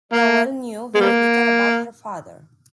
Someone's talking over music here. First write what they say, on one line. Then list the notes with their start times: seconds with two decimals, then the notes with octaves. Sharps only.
Rowell knew very little about her father.
0.13 A#3
0.95 G#3
1.01 G3 A#3